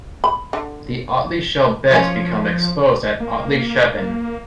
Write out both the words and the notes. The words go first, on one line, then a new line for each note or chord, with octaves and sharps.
The Otley Shell Beds become exposed at Otley Chevin.
B5
D3
F3 C#4 F4 C#5
A#3